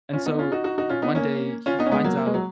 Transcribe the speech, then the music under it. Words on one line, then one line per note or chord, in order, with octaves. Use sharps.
And so one day he finds out
C#4 F4
B3 D#4
C#4 F4
D#4 F#4
D#4 F#4
D#4 F#4
C#4 F4
B3 D#4
A#3 C#4
C#4 F4
B3 D#4
C#4
G#3 B3
F#3 A#3
A#3
G#3
F#3